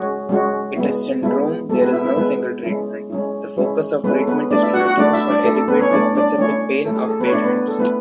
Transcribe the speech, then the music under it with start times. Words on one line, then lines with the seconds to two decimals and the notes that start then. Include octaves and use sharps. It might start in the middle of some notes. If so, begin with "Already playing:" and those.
It is syndrome, there is no single treatment. The focus of treatment is to reduce or alleviate the specific pain of patients.
Already playing: G#3 C#4 F#4 G#4
0.29 G#3 C#4 F#4
0.76 G#3 B3 E4
1.23 G#3 B3 E4
1.69 G#3 B3 E4 A4
1.81 B3 B4
1.93 E4 E5
2.05 E4 E5
2.16 G#3 B3 E4 B4
2.63 G#3 C#4 E4
3.10 G#3 C#4 E4
3.57 G#3 C#4 E4
4.04 G#3 B3 C#4 E4 B4
4.19 A4
4.27 B3 B4
4.51 A3 D4 E4 D5
4.62 E4 E5
4.74 F#4 F#5
4.86 F#4 F#5
4.97 A3 D4 E4 D5
5.13 E4 E5
5.28 D4 D5
5.44 A3 E4 A4
5.56 A4
5.68 B3 B4
5.79 C#4 C#5
5.91 A3 D4 E4 D5
6.15 D4 D5
6.38 A3 C#4 E4 C#5
6.85 A3 E4 A4
6.97 G#4
7.08 A4
7.20 B3 B4
7.26 C#5
7.31 A3 D4 E4 D5
7.43 B3 B4
7.55 B3 B4
7.68 A4
7.79 A3 B3 E4 B4